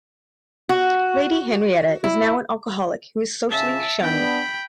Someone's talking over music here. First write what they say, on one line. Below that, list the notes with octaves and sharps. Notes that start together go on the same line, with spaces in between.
Lady Henrietta is now an alcoholic who is socially shunned.
F#4
E4
C#2 C#3 E5 A5
B3 D4 G5 B5